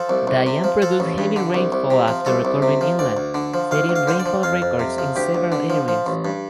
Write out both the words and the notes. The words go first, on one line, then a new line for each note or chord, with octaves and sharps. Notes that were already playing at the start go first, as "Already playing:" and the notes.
Diane produced heavy rainfall after recurving inland, setting rainfall records in several areas.
Already playing: F3 A4
C2
C2
C3
F3
F3 A4
A1
G2
D3
C2
C2
C3
F3
C2 A4
C2
C3
F3
D2 D5
D2
D3
F3
D2 F5
D2
F5
D3 C5
D5
F3
F2 F5
F2
C3
F3
D2 G4
D2
D3
F3
F3
A1
G2